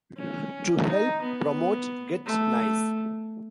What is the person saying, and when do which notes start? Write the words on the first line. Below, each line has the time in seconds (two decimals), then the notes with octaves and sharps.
To help promote Get Nice!
0.17 C#4
0.87 D#4
1.21 B3
2.26 A3